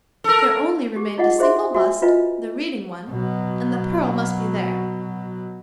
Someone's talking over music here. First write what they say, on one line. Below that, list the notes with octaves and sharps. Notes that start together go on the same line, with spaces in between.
There only remained a single bust--the Reading one--and the pearl must be there.
A4 A#4
G4 G#4
D#4 F4 G#4 D#5 F#5
F#4 G#4 C5 E5 C6
F#4 E5 G#5
E4 F4 B4 D#5 G#5
B2 F#3